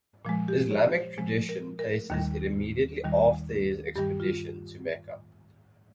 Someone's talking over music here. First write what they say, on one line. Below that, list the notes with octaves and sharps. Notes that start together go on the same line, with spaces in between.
Islamic tradition places it immediately after his expedition to Mecca.
A#2 F3 G#3
G4
C#5
C5
A#2 F3 G#3
A#4
A#4
D#2 D#3 G3
D#2 D#3 G3
G2 D#3 G3 G4
F4